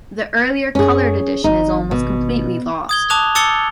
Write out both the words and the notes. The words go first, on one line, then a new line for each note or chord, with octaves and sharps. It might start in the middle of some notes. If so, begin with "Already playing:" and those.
The earlier colored edition is almost completely lost.
F#2 C#4 G#4
G#1 D#4
B2
D#6 G#6 G7
A5 D6 D#6 F#6 F7
A5 D6 E6 A6 C#7 G7